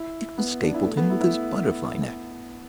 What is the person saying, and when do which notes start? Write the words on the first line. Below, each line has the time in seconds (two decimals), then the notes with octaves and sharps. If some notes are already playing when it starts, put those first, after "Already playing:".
It was Stapleton with his butterfly-net.
Already playing: E4
0.38 B3
0.62 D4
0.74 E4
0.85 A3
0.97 B3
1.10 E4
1.20 E4